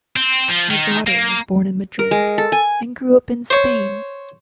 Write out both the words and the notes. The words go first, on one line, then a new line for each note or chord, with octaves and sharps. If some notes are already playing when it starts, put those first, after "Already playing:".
Nevado was born in Madrid and grew up in Spain.
C4
F3
D#3
A#3
A#4
G#3
A4
G#5
C5 C#5